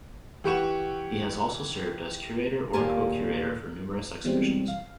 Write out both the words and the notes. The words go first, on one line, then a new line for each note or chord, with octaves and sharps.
He has also served as curator or co-curator for numerous exhibitions.
E3 G4 F#5 C#6 E7
D#2 A#2 G4 A#4 G#5 A5
B2 E3 G3 G#3 C4
F5